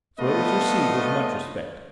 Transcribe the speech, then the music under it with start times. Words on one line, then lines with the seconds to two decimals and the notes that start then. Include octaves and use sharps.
So it was received with much respect.
0.20 A3 B3 C4 D4 F4 D#5